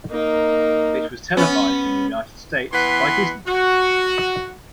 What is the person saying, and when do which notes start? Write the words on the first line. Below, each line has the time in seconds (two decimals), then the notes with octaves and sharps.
It was televised in the United States by Disney Channel.
0.11 A#3 D#4
1.37 B3 C#4
2.72 E3 B3 B4 F#5 B5 C6
3.47 F#4